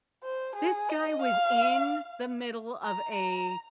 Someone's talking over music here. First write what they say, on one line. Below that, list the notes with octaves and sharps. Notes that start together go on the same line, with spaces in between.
This guy was in the middle of a
C5
G#4
D#5
F5
A#5
A#5